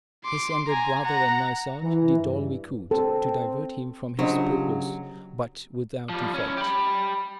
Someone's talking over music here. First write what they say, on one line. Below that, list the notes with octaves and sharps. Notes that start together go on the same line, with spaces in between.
His elder brother and myself did all we could to divert him from his purpose, but without effect.
C6 D6
G#5 A#5
F#5 A#5
E3
G2
C4 A4
C#3 F#3 A#3 D4 F4 G4 C5 D#5
F3 G3
C#4 E4
G4 B5